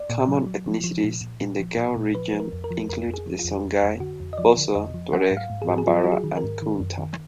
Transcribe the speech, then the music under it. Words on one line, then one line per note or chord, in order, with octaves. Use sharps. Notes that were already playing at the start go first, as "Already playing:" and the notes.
Common ethnicities in the Gao Region include the Songhai, Bozo, Tuareg, Bambara, and Kounta.
Already playing: D5
A#2
F#3
F#3
F3
F3
A#2
A#2
A#2
F3
A#2
A#2
F3 B4
F3
A#4
F2
A#4
F3
F2 A#4
F2
G#4
F3
F4
F2
F2
F2
D3 F#4
F2
D#5
F3 D5
D3
F2 D#5
F3
F#3 F#5
G#2
F5
G#2
G#4
G#2 F#4
G#4
F#3 F4
F#3 F#4
G#4
D#3
A#4
G#2
D#3
F#2
D#3